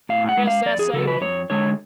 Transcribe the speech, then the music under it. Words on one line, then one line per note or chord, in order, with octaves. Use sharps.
I guess that saved me.
A2 F5
F#5
G#3
F5
F2 D5
G#4
C#3 F#3 A4
B4
F2 C#5
D3 G#3 C#5